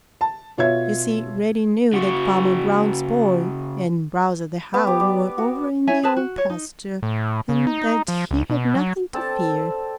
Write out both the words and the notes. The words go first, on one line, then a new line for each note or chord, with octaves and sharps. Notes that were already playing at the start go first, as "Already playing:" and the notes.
You see, Reddy knew that Farmer Brown's boy and Bowser the Hound were over in the Old Pasture, and that he had nothing to fear.
A5
B2 F4 C#5 E5 G#6
C#3 F#4
B3
G4
D5
F#4
E4 C#5 E5 G#5
G#4 B4 A5
F#4
C#5
D#4
A2
C#3
D#4
F3
C#2
B2
F#3
C4 A4 D5 A5